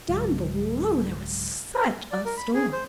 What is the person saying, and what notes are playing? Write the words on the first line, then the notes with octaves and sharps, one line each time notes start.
Down below there was such a storm!
B1 G2 C#3 F#3 G#3
D5
A#4
B5
G#4
C5